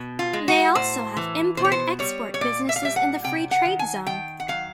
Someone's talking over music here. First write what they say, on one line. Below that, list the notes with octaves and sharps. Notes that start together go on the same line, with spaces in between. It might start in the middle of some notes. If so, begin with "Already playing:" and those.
They also have import-export businesses in the Free Trade Zone.
Already playing: B2
F4
G#3
F#4
A2 C5
E3
B2 C5
C#5
C5
G3 C#5
C#5
A#2 D5
E5
F5
G3 E5
F#5
C3 G5
F#5
D#3
G#5
D#3 G5
F#5
F#3 F5